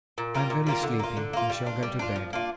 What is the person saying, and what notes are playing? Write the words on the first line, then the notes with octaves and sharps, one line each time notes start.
I am very sleepy and shall go to bed....
A#2
G3 A#3 F4
A#2
G3 A#3 F4
D3
A#3 F4
D3
A#3 F4
G3
D4 F4
G3
D4 F4
F3
A#3 D4 F4